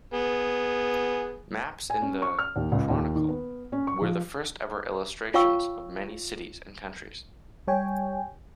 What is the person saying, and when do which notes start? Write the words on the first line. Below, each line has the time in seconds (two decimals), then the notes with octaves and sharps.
Maps in the "Chronicle" were the first ever illustrations of many cities and countries.
0.14 B3 G#4
1.90 G#5
2.02 C#4
2.22 C#6
2.39 F6
2.56 D#2
2.72 C#2
2.90 D#2
3.16 D#3
3.28 B3
3.72 C#4
3.87 C#6
4.02 F3
5.34 F4 C#5 F5 G5 C#6 E6
7.68 G3 C#5 G5 G#5